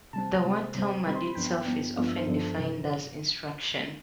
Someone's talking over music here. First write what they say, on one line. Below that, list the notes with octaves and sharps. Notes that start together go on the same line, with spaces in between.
The word "Talmud" itself is often defined as "instruction".
C3 G3 C4 A5
C3 G3 C4
C3 G3 C4
C3 G3 C4 B5
C6
B5
G2 F3 B3 D4 G5
G2 F3 B3 D4
G2 F3 B3 D4 F5
E5
C5
G2 F3 B3 D4 A4
C3 E3